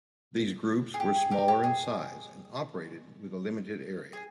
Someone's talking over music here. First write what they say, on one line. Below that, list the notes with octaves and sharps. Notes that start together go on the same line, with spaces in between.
These groups were smaller in size and operated with a limited area.
G#4
G4
G#4
G4 A#4
G4 A#4
G#4
G#4